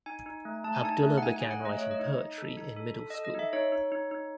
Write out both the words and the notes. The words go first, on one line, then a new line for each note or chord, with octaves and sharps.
Abdullah began writing poetry in middle school.
D#4 G#5
D#4
A3
A3 A5
G#5
D#4 A5
A3
F#5
D#4 G#5
G#5
G#4
F#5
A3 D#5
A3 C#5
D#5
D#4
D#4
A4
D#4
A4
A4
A4 D#5
D#5
D#4 E5
D#4 C#5
D#4
D#4
D#4